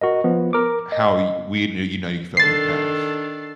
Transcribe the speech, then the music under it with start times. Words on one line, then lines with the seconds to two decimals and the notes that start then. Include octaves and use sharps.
how y we knew you know, you felt in the past."
0.01 F#4 A#4 D#5
0.24 F3 B3
0.53 A#4 D6
0.92 D#5
2.37 D#3 D4 A4 A6 C7